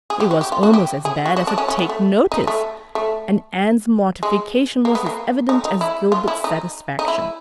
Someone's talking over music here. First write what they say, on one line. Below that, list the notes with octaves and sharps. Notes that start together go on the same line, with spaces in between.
It was almost as bad as a take-notice and Anne's mortification was as evident as Gilbert's satisfaction.
G#4
G4
F#4
G4
F4
F#4
G4
G#4
F#4
F#4
D4
C#4
C#4
B3
A3
D#4
A3
A3
G#3
A#3
B3
A#3
D#4
D#4
E4
F4
E4
D#4
D#4
E4